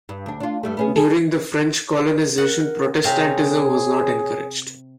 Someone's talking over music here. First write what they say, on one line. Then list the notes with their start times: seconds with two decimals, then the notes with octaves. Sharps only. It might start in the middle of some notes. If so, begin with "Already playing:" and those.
During the French colonization, Protestantism was not encouraged.
0.09 G2
0.26 D2 D4
0.40 D4 F4
0.63 G2 G3 A3
0.77 B3 C#4 G#4
0.96 G3 G#4 A4
2.38 A#4 F#5
3.04 C3 C4 G#4 C#5 F5